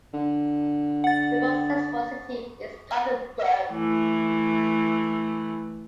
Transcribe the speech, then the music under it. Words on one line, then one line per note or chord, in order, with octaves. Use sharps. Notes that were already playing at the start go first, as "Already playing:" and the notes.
The most successful city is Gothenburg.
D3
F#5 A6
E3 A3